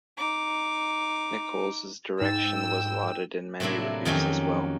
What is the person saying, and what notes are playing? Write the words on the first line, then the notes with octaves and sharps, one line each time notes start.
Nichols' direction was lauded in many reviews as well.
D#4 D6
G#2 D#4 G5 E6 A6
A2 C3 F#3 A#3 D4 E4
F2 D#3 F#3 A#3 C#4 G4